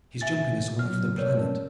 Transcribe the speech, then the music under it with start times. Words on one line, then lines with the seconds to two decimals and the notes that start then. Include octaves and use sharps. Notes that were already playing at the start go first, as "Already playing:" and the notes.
He's jumping us all over the planet.
0.21 E5 G#5 A6
0.79 A2 C#3 F#3 F6
1.18 A#4 B4 C#5 D5
1.38 C#4 A5 E6